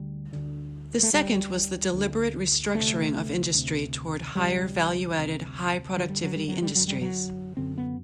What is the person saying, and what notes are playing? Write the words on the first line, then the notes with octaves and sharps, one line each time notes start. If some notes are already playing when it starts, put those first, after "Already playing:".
The second was the deliberate restructuring of industry toward higher value-added, high productivity industries.
Already playing: D2 D3 G3
D2 D3
A3
D2 D3 G3
D2 D3
D2 C3 A3
D2 C3
D2 C3 G3
D2 C3
F#2 D3 F#3
G3
F#3
G3
F#3
G3
F#2 D3 F#3
G3
F#3
F#2 D3 C4
B3